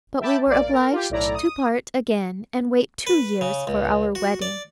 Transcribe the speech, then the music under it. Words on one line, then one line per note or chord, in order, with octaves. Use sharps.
But we were obliged to part again, and wait two years for our wedding.
E5 G5 A5 B5 D6
A#1 A#3 D5
A#4
F4 G4 G5
B1 A2 E4 D5 A#5
D#6
B4
C#3
C#2
F#4
D5